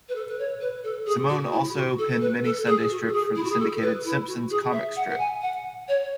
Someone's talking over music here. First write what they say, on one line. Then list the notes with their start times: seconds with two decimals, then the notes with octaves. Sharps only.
Simone also penned many Sunday strips for the syndicated "Simpsons" comic strip.
0.09 B4
0.15 A4
0.28 B4
0.39 C#5
0.61 B4
0.84 A4
1.06 G#4
1.30 F#4
1.52 E4
1.75 F#4
1.98 A4
2.22 B4
2.44 A4
2.67 G#4
2.91 F#4
3.07 A4
3.13 G#4
3.35 E4
3.44 F#4
3.51 G#4
3.59 A4
3.82 B4
4.04 E4
4.27 F#4
4.50 G#4
4.73 E5
4.96 F#5
5.10 F#5
5.19 G#5
5.42 F#5
5.88 C#5